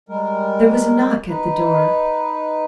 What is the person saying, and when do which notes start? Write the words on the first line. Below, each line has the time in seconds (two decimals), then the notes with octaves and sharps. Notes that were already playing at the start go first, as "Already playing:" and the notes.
There was a knock at the door.
0.09 G3 G#3 A#4
1.28 D#4 B4